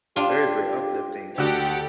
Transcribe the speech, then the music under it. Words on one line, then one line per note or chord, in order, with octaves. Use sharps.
very, very uplifting,
D4 F4 G4
D2 F#4 G4 A4 F#5